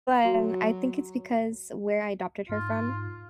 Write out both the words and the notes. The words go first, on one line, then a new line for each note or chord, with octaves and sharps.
but I think it's because where I adopted her from,
F#3 F#4
G#2 F4